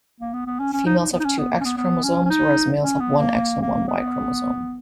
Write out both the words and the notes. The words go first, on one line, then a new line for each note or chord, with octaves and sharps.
Females have two X chromosomes, whereas males have one X and one Y chromosome.
A#3
B3
B3
C#4
C#4
D#4
D#4
B3
D#4
C#4
B3
A#3
C#4
B3
B3
C#4
C#4
D#4
C#4
B3
A#3
A#3
A#3
B3